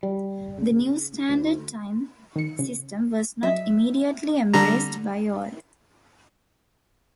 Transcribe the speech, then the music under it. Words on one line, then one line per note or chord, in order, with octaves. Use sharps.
The new standard time system was not immediately embraced by all.
G3
C#3
D2
D#3 C#7
C#3
F#3 D#5 E5
D3 G3 A#5